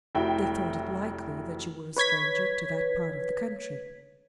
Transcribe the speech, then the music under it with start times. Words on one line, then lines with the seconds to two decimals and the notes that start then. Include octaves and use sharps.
They thought it likely that you were a stranger to that part of the country.
0.15 F1 E4 F#4 G5
1.96 B4 C#5 G#6 B6